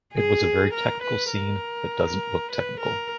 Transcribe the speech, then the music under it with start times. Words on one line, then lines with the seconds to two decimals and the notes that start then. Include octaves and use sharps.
It was a very technical scene that doesn't look technical.
0.13 G#4
0.73 A#4
1.03 B4
1.32 A#4
2.51 B4
2.80 A#4